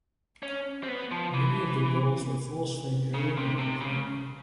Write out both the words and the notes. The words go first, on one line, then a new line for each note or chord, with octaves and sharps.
Many of the girls were force-fed heroin or cocaine.
C#4
C4
B3
F3
E3
C#3
C3
C3
C#3